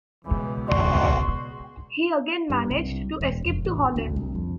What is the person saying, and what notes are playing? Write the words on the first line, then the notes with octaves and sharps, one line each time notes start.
He again managed to escape to Holland.
C#2 B2 E3
F#4 D5 C6
G2
C2
E1
F1
A1
D2
C2
F2